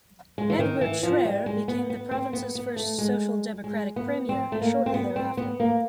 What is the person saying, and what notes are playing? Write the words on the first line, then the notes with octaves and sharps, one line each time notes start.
Edward Schreyer became the province's first social democratic Premier shortly thereafter.
G#3
E3
D#3
E3
F3
G3
G#3
B3
B3
C4
B3
B3
A3
G#3
G#3
B3
C4
A3
A#3
C4
B3
C4
B3
A#3